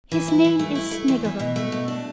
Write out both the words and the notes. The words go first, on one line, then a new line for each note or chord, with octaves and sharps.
His name is Snegiryov.
E3
E4
E3
A3
E4
A3
E2
E3
B2
A3
B2
D4